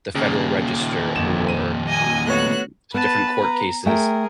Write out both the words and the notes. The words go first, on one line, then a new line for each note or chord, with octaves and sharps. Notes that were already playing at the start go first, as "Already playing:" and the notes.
the Federal Register, or, um, different court cases
D#2 A#2 C#3
G1 F2 E7
D#7
D#5 G#5
A3 B3 F#4 C#5 F#6
B3 B4 A5
A#5
A3 G#4 A#4 G5